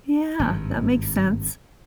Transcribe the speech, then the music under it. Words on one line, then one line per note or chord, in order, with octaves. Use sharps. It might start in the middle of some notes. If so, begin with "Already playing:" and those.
Yeah. That makes sense.
G#1 G2